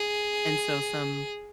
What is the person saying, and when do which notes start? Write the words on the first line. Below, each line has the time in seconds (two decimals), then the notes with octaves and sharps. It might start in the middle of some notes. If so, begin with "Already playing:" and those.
And so some
Already playing: G#4